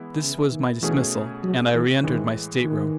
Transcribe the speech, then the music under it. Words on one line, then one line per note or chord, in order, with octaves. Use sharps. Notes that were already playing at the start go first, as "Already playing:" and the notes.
This was my dismissal, and I reentered my stateroom.
Already playing: E3 G#3 B3 E4
C#3
D#3
B2 E3 A3 C#4 G#4
F#3
E3
A2 D#3 E3 G#3
D#3